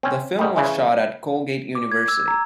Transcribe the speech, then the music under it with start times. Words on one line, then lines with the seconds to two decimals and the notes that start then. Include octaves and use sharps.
The film was shot at Colgate University.
0.03 C4 C#4
0.39 G#2 D#3 G3
0.56 C#3 E3 G#3
1.75 D6
1.92 G#6
2.08 E6
2.28 A#5